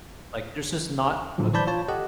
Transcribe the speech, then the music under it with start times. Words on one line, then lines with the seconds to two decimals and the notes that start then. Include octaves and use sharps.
Like there's just not a
1.38 A2 D3 F3 F#3
1.53 E3 C5 D5 A5 B5 G6
1.67 F4 C#5 A5
1.88 G4 A4 D#5 F#5